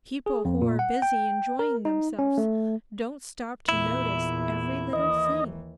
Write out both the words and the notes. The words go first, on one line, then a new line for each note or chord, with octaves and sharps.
People who are busy enjoying themselves don't stop to notice every little thing.
G#4
F2
A#2
F#5
G5
A#4
D#4
C#4
A3
E2 A#2 E4
D#2 E3 D#5